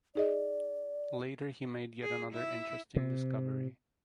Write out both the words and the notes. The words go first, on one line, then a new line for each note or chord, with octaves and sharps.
Later he made yet another interesting discovery.
D#4 G#4 D5 D#5
G#4
E4 E5
C3